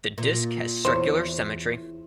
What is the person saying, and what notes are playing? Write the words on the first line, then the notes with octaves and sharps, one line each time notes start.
The disk has circular symmetry.
A#2
E2 C5 C#5